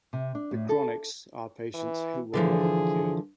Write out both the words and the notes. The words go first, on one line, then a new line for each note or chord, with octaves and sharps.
The chronics are patients who will never be cured.
C3
D4
A2
A4
E3
D3 E3 F3 G#4